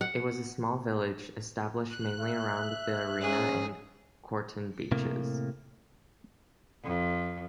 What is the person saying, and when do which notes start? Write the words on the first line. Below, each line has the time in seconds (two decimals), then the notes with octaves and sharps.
It was a small village, established mainly around the Arena and Corton beaches.
0.01 F#5
1.87 F#6
2.20 E5
3.21 G#2 C#4 G#4
4.92 A2 C3 A#3
6.84 F2